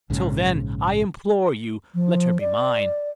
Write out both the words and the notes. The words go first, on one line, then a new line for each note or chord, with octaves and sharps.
Till then, I implore you, let her be mine.
A#1 G#2 C#3
F3
D5